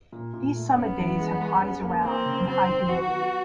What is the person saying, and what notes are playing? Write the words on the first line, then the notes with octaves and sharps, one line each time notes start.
These summer days have highs around and high humidity.
A#2
A#2
A3
B3 C#4
E3
G#3
G#3
C#4
A#3
A#3 C4
C#3
F#3 C4
D#3
F#3 F#4
B3